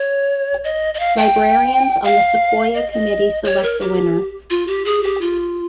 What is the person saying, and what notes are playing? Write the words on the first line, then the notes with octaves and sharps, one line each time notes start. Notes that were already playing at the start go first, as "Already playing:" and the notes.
Librarians on the Sequoyah Committee select the winner.
Already playing: C#5
D#5
D#5
F5
G5
F5
D#5
D#5
C#5
A#4
G4
F4
G4
G#4
G4
F4